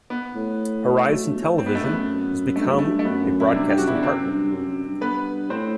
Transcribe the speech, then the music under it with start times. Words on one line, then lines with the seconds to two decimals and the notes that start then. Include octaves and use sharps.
Horizon Television has become a broadcasting partner.
0.10 B3
0.35 A2
1.08 F#3 A3
1.25 G2
1.35 B2
1.41 A2
1.57 A2 C4
1.66 B3
1.70 G2 A3
1.82 E2 B3
1.94 F#2
2.56 G2 A3
2.65 F#2
2.75 G2 A3
2.99 A3
3.05 F#2 B3
3.40 E4
3.47 D4
3.54 G2 C3 C4
3.66 G2 G4
3.78 F#2 F#4
3.87 E4
3.91 E2 D4
4.03 F#2 C3 C4
4.28 G2
4.52 F#2
4.69 F#2
4.85 G2
5.01 B3 B4
5.50 A2 C4 C5